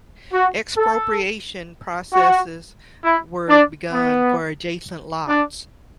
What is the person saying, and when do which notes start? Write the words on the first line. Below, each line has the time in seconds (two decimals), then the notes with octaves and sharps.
Expropriation processes were begun for adjacent lots.
0.33 F#4
0.77 A4
2.13 F#4
3.03 E4
3.48 D4
3.93 B3
5.28 D4